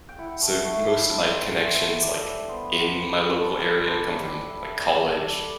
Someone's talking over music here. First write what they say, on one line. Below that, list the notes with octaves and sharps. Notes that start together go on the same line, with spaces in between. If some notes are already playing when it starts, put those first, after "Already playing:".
so most of my connections, like, in my local area come from, like, college
G5
E4 F#5
A3
A3 G5
A3
C4 A5
C4
F#5
A3
E5
A3
E5
D4 D5
G3
B3 C5
B3
C4 B4
G3
C4 A4
G3 C5
B4
D4 A4
D4
B4
G3
E5
G3
G3 D5
G3
A4
D4
G4